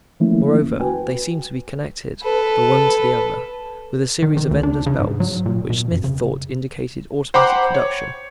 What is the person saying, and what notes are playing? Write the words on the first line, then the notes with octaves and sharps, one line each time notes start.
Moreover, they seemed to be connected, the one to the other, with a series of endless belts, which Smith thought indicated automatic production.
D#3 F3 A3 A#3 C#4 E4
E2
F#4 B4 G5 G#5
A4 B4
D#3
D#3
D2
D4
C#3
G#2
F#3
A#2
B2
F#2
C#3
C5 F#5 G5 A#5 B5 D6
C#5